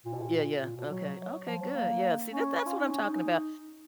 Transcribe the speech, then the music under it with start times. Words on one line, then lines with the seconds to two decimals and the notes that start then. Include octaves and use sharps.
Yeah, yeah, okay, okay, good. Yeah, see, that that's what I'm talking about.
0.05 A#2
0.13 B2
0.21 A#2
0.62 A#2
0.76 B2
0.90 F#3
1.18 F#3
1.47 F3
1.61 F#3
1.75 A#3
2.32 C#4
2.66 F4
2.77 D#4
2.89 C#4
3.03 D#4